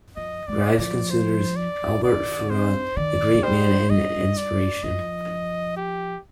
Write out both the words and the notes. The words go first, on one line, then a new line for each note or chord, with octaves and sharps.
Rives considers Albert Feraud a great man and an inspiration.
F3 D#5
G#3 D5
F3 D5
C5
D5
D#3 D5
D3
C3 C5
D#3 D5
F3
G3 C5
G3 D#5
D5
F3 D#5
G4